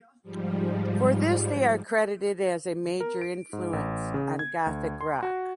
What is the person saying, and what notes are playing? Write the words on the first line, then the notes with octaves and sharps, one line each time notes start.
For this they are credited as a major influence on gothic rock.
G#2 F3 G3
A#4
D7
G#2
A1
C#3
G#6
D2
C6
F#4